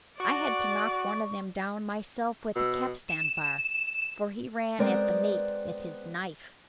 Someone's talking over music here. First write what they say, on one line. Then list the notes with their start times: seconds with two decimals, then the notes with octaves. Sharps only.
I had to knock one of them down myself with a capstan bar, for he ran at the mate with his knife.
0.20 F#4 D5 C#6
2.56 B2 E6
3.09 E7
4.79 G#3 B3 C4 A#4 D5